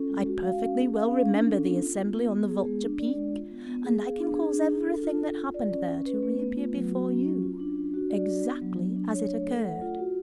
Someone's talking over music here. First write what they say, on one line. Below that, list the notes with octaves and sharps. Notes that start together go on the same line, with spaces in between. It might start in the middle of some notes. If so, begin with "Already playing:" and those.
I perfectly well remember the assembly on the Vulture Peak; and I can cause everything that happened there to reappear before you, exactly as it occurred.
Already playing: C#4 F4 A4
G#3
F#4
F5
C#4
G#4
F5
C#4
D4
A4
B3
F4
B3
B3
B3
G#4
G#3
D4
D5
G#3
F4
B3
B3
G#4
F5
D4
G#4
D4
D4
A4
F4
F4
F4
D5
C#4
C#4
B4
A3
B3
F4
F#3
F#4
C#4
C#4
F4
D4
D4
F#4
D5
D4
B3
F#3
F#3
D4
C#5
A3
A4
F#5
F4
F#4